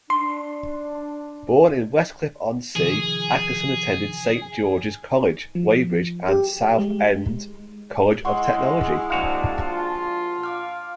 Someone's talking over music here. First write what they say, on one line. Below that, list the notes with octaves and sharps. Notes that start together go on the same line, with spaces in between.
Born in Westcliff-on-Sea, Atkinson attended Saint George's College, Weybridge and Southend College of Technology.
D4 C6
C3 D#3 F3 G#4
F3
G4
G#3
G#3 E4 D#5 F#5 C6 C#6
A#1 D4 F#4 F5
F4 A5
F5 D6 F6